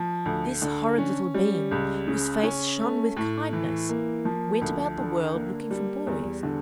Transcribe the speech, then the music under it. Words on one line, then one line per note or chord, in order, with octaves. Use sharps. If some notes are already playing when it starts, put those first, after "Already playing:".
This horrid little being, whose face shone with kindness, went about the world looking for boys.
Already playing: F3
D2
D3
C#4
G3
C#2
C#3
C#4
A3
A2
E3
A#3
F3
D2
D3
A#3
G3
E2
D3